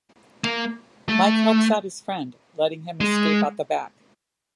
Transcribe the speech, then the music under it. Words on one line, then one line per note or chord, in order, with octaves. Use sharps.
Mike helps out his friend, letting him escape out the back.
A#3
A3
G#3